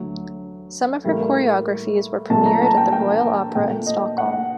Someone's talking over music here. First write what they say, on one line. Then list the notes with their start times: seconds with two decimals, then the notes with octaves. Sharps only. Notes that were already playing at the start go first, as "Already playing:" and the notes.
Some of her choreographies were premiered at the Royal Opera in Stockholm.
Already playing: D2 D3 F#3 A3
1.04 A2 G3 A#3
2.30 A#2 F#3 A3 A5
2.46 A#5
2.62 A5
2.77 G5
2.93 G5
3.55 A#2 A3 G5
3.87 D#5
4.18 F#5